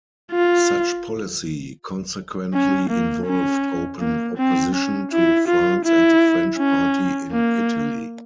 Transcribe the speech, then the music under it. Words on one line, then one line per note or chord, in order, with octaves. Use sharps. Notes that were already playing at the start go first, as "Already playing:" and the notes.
Such policy consequently involved open opposition to France and the French party in Italy.
F4
C#4
A#3
C#4
A#3
C4
C#4
E4
F4
E4
C#4
A#3